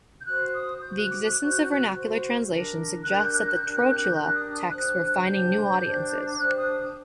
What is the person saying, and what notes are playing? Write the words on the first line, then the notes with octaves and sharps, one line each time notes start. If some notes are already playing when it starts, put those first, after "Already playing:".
The existence of vernacular translations suggests that the "Trotula" texts were finding new audiences.
G6
F#4 C5 F#6
D#6
F#4 C5 G6
F#6
D6
F#6
F#4 C5 F#6
G6
F#6
F#4 C5
D4 G4 A#4
D4 G4 A#4 F#6
G6
F#6
G6
F#6
G6
F#6
G6
D4 G4 A#4 F#6
G6
F#6
G6
F#6
G6
D4 G4 A#4 F#6
D#6
D#6
D4 G4 C5 F#6
D4 G4 C5 G6
D4 G4 C5
D4 G4 C5 F#6
D#6